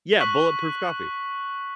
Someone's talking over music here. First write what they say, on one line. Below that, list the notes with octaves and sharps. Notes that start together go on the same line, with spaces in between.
Yeah, bulletproof coffee.
C#6 F#6 B6 F#7